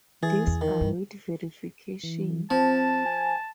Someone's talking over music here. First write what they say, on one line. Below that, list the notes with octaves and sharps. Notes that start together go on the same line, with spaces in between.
These await verification.
E3 G#4 A6
E2
D#3
G2
E3
F3 C4 A5
G#5